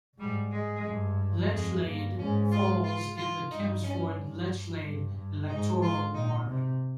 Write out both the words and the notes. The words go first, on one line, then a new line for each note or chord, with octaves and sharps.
Lechlade falls in the Kempsford-Lechlade electoral ward.
G#2 G3
G#3
G2
F2 G#3
G2 A#3
G#2 C#4
F4
F4
F4
G2 D#4
C#4
G2
G2
G2
G#2 D#4
F4
A#2 D#4
C3